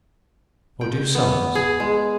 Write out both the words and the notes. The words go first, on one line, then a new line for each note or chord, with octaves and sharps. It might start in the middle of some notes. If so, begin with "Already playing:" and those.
"Nor do sums?"
G5
B3
G#4
G#3